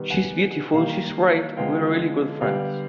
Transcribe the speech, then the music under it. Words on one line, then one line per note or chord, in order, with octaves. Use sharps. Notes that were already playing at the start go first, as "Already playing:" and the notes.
She's beautiful, she's great; we're really good friends.
Already playing: D#3 G3 B3
F#5 G#5
D#3 G3 A#3 F5 G5
D3 F3 G#3 B3 F5 G5
D3 G3 B3 F5 G5